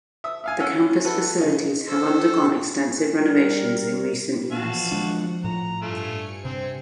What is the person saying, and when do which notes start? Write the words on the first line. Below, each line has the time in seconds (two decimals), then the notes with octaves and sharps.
The campus facilities have undergone extensive renovations in recent years.
0.24 E5 D#6
0.44 E5 F5 G#5
0.60 C#4 F#5 E6 F6
1.05 E4 F#4 A4 B4
1.40 C#3 D#4
1.87 A4 C5
3.19 G3 A#4
4.52 E3 F3 F#4 F5 A5
4.91 D#3 F3 G#3 D4 F#5
5.44 A2 A#5
5.82 G2 A3 F4 G#5 C#7
6.45 C3 C4